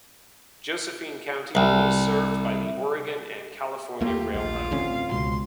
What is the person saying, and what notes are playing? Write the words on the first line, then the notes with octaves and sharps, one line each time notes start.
Josephine County was served by the Oregon and California Railroad.
C2
D#2 A3 A#3 F4 G4
A#1 F#3 F4 F5
D1 D2 C4 C#4
C#2 B2 C6